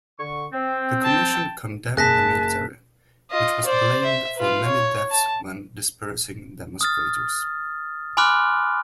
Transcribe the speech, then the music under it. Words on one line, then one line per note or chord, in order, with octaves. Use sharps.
The Commission condemned the military, which was blamed for many deaths when dispersing demonstrators.
D3 C#6
C4
G5 A5
F#1 G#4 A5 F#6 A#6 B6
F4 D#5
C5 D5
E5
F4 B4
C#5
A5
D#6 F6 A6
G#5 B5 C6 D6 F6 F#6